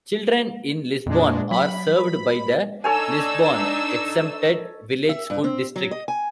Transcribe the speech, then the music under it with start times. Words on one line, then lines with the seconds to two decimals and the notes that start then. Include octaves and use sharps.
Children in Lisbon are served by the Lisbon Exempted Village School District.
1.06 F2 A#2 G#3 D4
1.51 F#3 B5
2.84 D4 D#4 A4 C#5 G#5 E6
5.09 E5
5.30 G2
5.44 C4
5.76 F#3
5.91 D#5
6.08 G#5